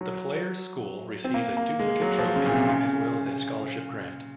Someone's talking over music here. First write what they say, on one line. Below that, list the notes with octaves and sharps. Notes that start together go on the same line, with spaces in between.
The player's school receives a duplicate trophy, as well as a scholarship grant.
F#3
C4
A#3
A#3
G#3
F#3
F3
C#3
A#2
C3
C#3